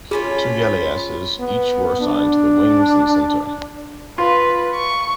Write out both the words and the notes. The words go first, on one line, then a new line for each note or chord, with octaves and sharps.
Two galleasses each were assigned to the wings and center.
F3 C#4 F4 G#4 C#5 B5
B3
D4
F4 B4
C#6